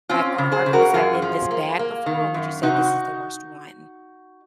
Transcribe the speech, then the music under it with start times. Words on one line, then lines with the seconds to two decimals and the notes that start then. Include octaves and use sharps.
like, or arguments that have been this bad before or would you say this is the worst one?
0.09 C4 C#4 F4
0.38 C#3
0.52 G#4 C5
0.66 C#3
0.73 F#4 A#4
0.94 F#2 F4 G#4
1.22 F3
1.51 A#3
1.79 A#3
2.06 D#3
2.34 F#2
2.63 C3 D#4 F#4